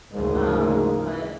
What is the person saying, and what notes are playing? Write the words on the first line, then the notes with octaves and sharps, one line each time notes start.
um, but
D2 G#2 C#3 F3 G#3 A#3